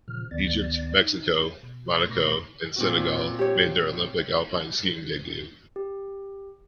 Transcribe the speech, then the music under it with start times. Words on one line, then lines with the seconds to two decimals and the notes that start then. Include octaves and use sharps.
Egypt, Mexico, Monaco and Senegal made their Olympic alpine skiing debuts.
0.08 A#2 C#3 F3 F6
0.31 D2 D#3 B3 D5 A6
1.02 D#4
1.63 B2
2.09 B2 A3 B5 C#6 D6 A#6
2.76 A#2 C4 F#4
3.39 G4 C#5
5.76 G4